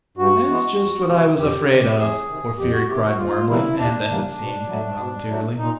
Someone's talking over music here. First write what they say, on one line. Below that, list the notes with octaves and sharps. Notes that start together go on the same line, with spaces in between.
"That's just what I was afraid of!" Porfiry cried warmly and, as it seemed, involuntarily.
G2 F#4
E3 G#3 B3
F2
C3 D#3 G#3
F2 G4
C3 D#3 G#3
F2 G#4
C3 D#3
F2 G4
F#4
C3 D#3 G4
F#4
D#2 F4
C#3 E3 G3 A#3 E4
D#2 D4
C#3 E3 G3 A#3
B2
F#3 A3
B2
F#3 A3
A#2 D#4